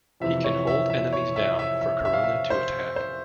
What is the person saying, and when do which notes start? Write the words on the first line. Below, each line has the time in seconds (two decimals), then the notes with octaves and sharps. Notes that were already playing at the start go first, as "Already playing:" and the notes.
He can hold enemies down for Corona to attack.
0.20 F2 C3 E3 E5
0.44 C#5
0.67 E5
0.90 E5
1.13 C#5
1.36 E5
1.59 E5
1.81 E5
2.05 E5
2.13 F5
2.24 E5
2.50 C5
2.96 C5